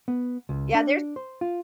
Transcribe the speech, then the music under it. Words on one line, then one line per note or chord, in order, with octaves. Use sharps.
Yeah, there's
B3
C#2
D4
C5
F4